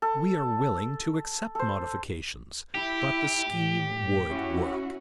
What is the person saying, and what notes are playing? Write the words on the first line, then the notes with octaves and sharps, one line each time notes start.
We are willing to accept modifications, but the scheme would work.
A4
A4 C5
E4 G4
A2
C#4 E4 F#4